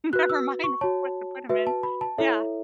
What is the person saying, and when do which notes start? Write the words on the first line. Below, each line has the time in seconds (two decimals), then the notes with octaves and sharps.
Never mind what to put them in. Yeah.
0.13 F#4 B4 F#6
0.30 E6
0.64 C#6
0.81 F#4 C#5 A5
1.49 F#4 B4 E5
1.67 A5
1.83 B5
2.01 A5
2.18 E4 A4 C#5 E5